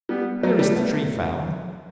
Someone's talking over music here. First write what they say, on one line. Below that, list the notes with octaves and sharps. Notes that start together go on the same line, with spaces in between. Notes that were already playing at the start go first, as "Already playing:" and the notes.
Where is the Tree found?
G3 B3
F#3 A3
G3
B3